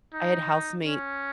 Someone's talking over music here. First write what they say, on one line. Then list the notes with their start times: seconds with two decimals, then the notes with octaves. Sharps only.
I had housemates
0.14 D#4
0.82 C#4